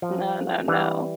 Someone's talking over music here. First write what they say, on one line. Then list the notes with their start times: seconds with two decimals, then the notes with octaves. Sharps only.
No, no, no.
0.02 F3
0.68 E3 G3